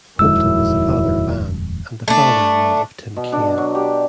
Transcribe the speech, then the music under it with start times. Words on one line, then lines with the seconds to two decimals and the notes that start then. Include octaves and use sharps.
Holton is the father of Anne, and the father-in-law of Tim Kaine.
0.19 D#1 F2 D#3 F#3 G#3 E4 E6
2.08 A3 D4
3.16 B2
3.32 D4
3.58 F#3
3.75 G4